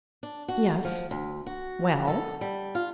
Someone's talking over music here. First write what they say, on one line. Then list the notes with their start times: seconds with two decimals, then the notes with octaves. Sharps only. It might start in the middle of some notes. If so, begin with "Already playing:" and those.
"Yes." "Well?"
0.23 D4
0.48 F#4
0.85 F3
1.11 D2
1.46 F#4
2.08 A4
2.41 G3
2.75 F4